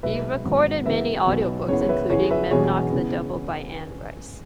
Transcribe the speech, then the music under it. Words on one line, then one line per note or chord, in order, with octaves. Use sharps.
He recorded many audiobooks, including "Memnoch the Devil" by Anne Rice.
B1 B2 G#3 B4 E5
G#1 G#2 F#3 B3
F#2 C#3 E3 G#3 B3 B4 E5
B1 B2 F#3 B3
F#1 F#2 E3 B3 G#4 C#5
C#5
B4 E5
E2 C#3 E3 B3 G#4 C#5
B4 E5
E1 E2 B2 F#3 B3 G#4 C#5
C#3 E3 B3